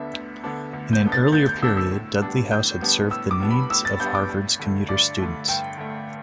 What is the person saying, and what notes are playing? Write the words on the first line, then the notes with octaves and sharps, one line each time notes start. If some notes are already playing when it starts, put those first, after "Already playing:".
In an earlier period, Dudley House had served the needs of Harvard's commuter students.
Already playing: D2 D3 B3 D4 E5
D2
D3 B3 D4
D2
G6
D3 B3 D4
A6
D2 G6
G6
D3 B3 D4 E6
E6
A2
G3 B3 D4
A2 G6
G3 B3 D4
A2 E6
D6
G3 B3 D4
B5
A2 E6
A6
G3 B3 D4 G6
D6
G2
D3 A3
G2 D5
D3 A3
G2 G5
D3 A3